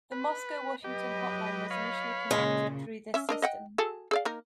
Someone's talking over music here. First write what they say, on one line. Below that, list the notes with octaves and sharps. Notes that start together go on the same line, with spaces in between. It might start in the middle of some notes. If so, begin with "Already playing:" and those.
The Moscow-Washington hotline was initially connected through this system.
B4
F#3 G4 B4 D#5
C#5 F5 B5
A#2 C#3 G#3
C#4 E5
D4 A#4 D#5
D#5 F#5 G5
F#4 G#4 A4
G#4 D5 F5
A#3 D#4 A#4